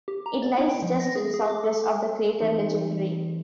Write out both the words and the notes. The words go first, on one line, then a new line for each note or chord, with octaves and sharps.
It lies just to the southwest of the crater Legendre.
G4
A#5
D5
E4
G5
F3
A#6
G#4
G#4
D6
A4
E3 G#3 A3 C4 D#4